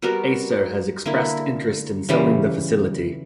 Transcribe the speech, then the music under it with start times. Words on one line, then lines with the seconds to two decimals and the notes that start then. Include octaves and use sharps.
Acer has expressed interest in selling the facility.
0.02 G3 B3 F#4 A#4
1.06 D3 A#3 E4
2.09 C#3 E3 G3